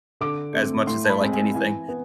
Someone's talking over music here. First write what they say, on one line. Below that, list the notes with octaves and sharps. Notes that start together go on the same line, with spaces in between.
as much as they like anything.
D3 D6
A3 C4
A2 C6
A5
B5
G#3 C4
G#5
E3 G#5
B3